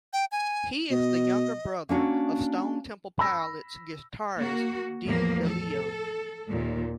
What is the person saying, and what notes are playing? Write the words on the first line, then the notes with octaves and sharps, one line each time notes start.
He is the younger brother of Stone Temple Pilots guitarist Dean DeLeo.
G5
G#5
B2 D#5
A#3 C#4 D4 F#4
B5 E6 A#6
A#3 F#4
E2 A2 F3 A#3
A4
D#2 A#2